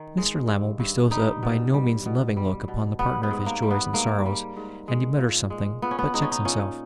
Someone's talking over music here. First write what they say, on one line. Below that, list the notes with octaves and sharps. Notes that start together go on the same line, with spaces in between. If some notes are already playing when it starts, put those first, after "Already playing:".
Mr Lammle bestows a by no means loving look upon the partner of his joys and sorrows, and he mutters something; but checks himself.
Already playing: D#3
G#3
G2
G2
G3 D#4
B2
G3
B2
G3
B2
G3 B3
B3
G#2
A#3
G3
B3
G#2 A#3
G3
G#2
G#3
A#2
G#3
A#2 B3
C#4
B3
G#3 D#4
C#4
D#4
A#2 C#4